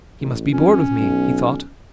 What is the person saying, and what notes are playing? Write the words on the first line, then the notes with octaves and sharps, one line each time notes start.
"He must be bored with me," he thought.
A1
F2 C#4
B1